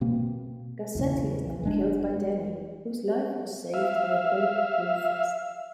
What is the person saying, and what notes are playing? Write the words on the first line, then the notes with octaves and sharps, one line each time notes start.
Garcetti is then killed by Danny, whose life was saved by a bulletproof vest.
B2 A#3 C4
B1 E2 A#2 C#3
F1 G#3 D4
E5 F5